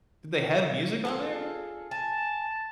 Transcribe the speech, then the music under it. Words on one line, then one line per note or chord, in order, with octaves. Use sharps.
Did they have music on there?
F4 G#4 A4
G#5 A5